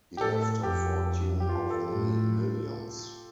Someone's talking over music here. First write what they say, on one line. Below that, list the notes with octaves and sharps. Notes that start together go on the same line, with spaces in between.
He left a fortune of many millions.
G4
A2 A4
A4
F2 G4
G4
G2 F4
A4
A2